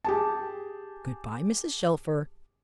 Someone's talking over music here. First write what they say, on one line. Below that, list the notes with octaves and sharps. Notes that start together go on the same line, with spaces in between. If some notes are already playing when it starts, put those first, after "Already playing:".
"Good bye, Mrs. Shelfer."
G4 G#4 A5